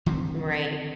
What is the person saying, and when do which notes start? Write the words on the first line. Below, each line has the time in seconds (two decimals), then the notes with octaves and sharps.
Mm, right.
0.06 D3 D#3 C4